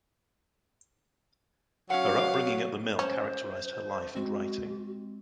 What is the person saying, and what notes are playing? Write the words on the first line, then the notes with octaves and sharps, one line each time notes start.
Her upbringing at the mill characterized her life and writing.
F#3 C#4 F5 F#5
C#4 C5
G#3 C4 F#4